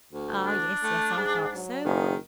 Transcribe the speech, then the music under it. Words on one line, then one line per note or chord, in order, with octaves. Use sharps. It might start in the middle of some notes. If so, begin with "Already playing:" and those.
Ah, yes, yes; I thought so.
D2
D4
A3
G#2 G#4
F#3
F#1 D#3 G#4